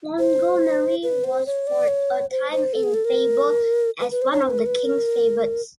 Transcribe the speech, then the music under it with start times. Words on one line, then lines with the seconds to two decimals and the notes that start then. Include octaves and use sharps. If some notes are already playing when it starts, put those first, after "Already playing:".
Montgomerie was for a time in favour as one of the king's "favourites".
0.19 C5
1.03 B4
1.24 C5
1.46 C#5
1.67 D5
1.88 C#5
2.31 C5
2.52 C5
2.73 A4
2.83 G#4
2.94 A4
3.05 A#4
4.00 B4
4.11 B4
4.22 C5
4.32 C#5
4.42 C5
4.50 B4
4.58 A#4
4.66 B4
4.85 A#4